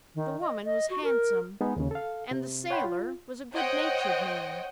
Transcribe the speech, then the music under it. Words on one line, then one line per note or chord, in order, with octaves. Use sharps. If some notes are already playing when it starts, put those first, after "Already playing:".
The woman was handsome, and the sailor was a good-natured man.
D#3
D#5
D#5
F#4
A#4
G#3 B3 D#4
D#2 C#3
A4 F5
C3
C#5 F#5 G5 B5 C6
F4
C5 C#5 D#5 F#5 G5